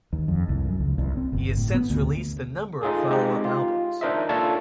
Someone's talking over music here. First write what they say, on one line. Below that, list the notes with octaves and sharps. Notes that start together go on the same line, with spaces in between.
He has since released a number of follow-up albums.
D#2
F2
C2
F#2
C#2
C2
C4
G1
A2
B3
D2
D#4 F4 G#4 A4
G#3 C4 D#4 G4
F4
D4 D#4 A#4 C5 D#5 E5
A#3 D4 F4 A4 C#5 A5